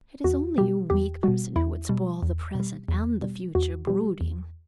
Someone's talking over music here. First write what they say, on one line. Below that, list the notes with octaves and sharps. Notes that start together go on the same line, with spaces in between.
It is only a weak person who would spoil the present and the future, brooding.
E2 F#4
B2 G3 G4
E2 G4
B2 G3 F#4
E2 E4
B2 G3
E2
B2 G3
E2
B2 G3
E2 F#4
B2 G3 G4
E2